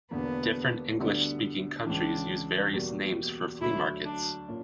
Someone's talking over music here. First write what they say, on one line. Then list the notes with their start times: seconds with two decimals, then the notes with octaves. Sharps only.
Different English-speaking countries use various names for flea markets.
0.11 E1 E2 D3 A#3 B3
0.99 D2 D3 G3 B3 D4
1.86 C#2 C#3 E3 D4
2.73 E2 B2 G3 A#3
3.61 D2 D3 F#3 E4
4.05 D4
4.48 A#2 C#4